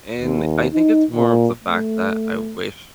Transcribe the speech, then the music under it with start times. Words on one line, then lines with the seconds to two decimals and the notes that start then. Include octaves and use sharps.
And I think it's more of the fact that I wish
0.19 D#2
0.73 D#4
1.10 A#2
1.64 A3